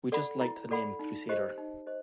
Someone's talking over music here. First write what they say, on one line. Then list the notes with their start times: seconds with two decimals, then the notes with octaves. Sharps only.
We just liked the name "Crusader".
0.12 A4 D5 F#5 B5
0.41 E4
0.71 A4 D5 F#5 B5
0.99 D#4
1.29 G4 C5 D#5
1.58 D#4
1.86 G4 C5 D#5